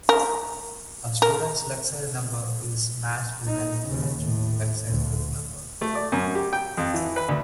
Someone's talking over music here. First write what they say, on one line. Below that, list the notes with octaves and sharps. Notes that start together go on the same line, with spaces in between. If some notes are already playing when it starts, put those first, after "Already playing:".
A student’s lexile number is matched with an equivalent Lexile book number.
A#4
A#4
A#2 D#4
D#2 C#3
A2
D2
A3
D5
F#2
G4
G5
F2
E3
B4
D2